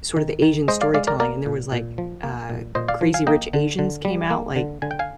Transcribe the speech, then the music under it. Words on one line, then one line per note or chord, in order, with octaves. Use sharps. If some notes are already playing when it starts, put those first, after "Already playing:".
sort of the Asian storytelling, and there was, like, uh, Crazy Rich Asians came out, like,
D#3
D#3
G#3 C5 D#5
D5 F5
G#3 D5 F5
A#4 D5
A#3 A#4 D5
A#2
A#2
F3
A#3
A#2
A#2 C5 D#5
D5 F5
F3
F5 G#5
A#3 D#5 G5
D3
D3
G3
A#3
D3
D3 G#5
G5
F5 G#5